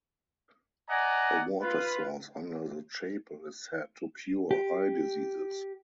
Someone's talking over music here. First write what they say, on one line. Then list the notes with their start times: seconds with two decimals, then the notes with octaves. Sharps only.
A water source under the chapel is said to cure eye diseases.
0.89 D5 D#5 F#5 G#5 A#5
1.61 F4 B4
4.51 G4